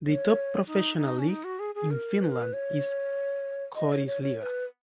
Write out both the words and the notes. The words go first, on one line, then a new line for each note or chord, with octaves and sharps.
The top professional league in Finland is Korisliiga.
C#5
D#4
D#4
C#4
D#4
F#4
G#4
G#4
A#4
B4
A#4
B4
C#5
D#5
C#5
C#5
C#5
C#5
B4